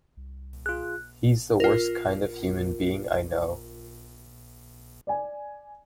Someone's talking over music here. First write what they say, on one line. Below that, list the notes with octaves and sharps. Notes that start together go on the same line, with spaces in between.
He's the worst kind of human being I know.
C2
F4 G#4 F#6
F4 A#4
D5 G#5